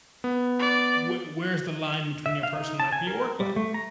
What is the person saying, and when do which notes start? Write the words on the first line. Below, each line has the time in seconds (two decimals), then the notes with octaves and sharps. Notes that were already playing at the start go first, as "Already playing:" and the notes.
w where's the line between your personal life and your work life?
0.24 B3
0.59 D5
2.26 E5
2.43 F5
2.54 D#4
2.80 A5
2.92 G#5
3.07 A#4
3.40 G3
3.56 A3
3.74 A#5